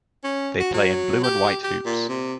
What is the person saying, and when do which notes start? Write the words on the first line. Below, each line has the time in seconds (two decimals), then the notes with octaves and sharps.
They play in blue and white hoops.
0.24 C#4
0.60 F#4
0.74 F#3
1.24 G4
1.64 G4
1.86 A#2
2.09 C3